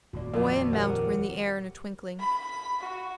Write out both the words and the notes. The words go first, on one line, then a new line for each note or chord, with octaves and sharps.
Boy and mount were in the air in a twinkling.
D#1 A#3 F#4 D5
F2 F#4 D5
G4 A#4 C#5 F#5
B5
F#4